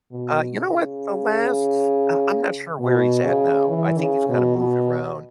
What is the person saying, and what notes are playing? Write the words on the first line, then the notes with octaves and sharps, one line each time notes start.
Uh, you know what? The last uh, I'm not sure where he's at now. I think he's kinda moved around.
B2
C#3
B2
C#3
E3
C#3
B2
B2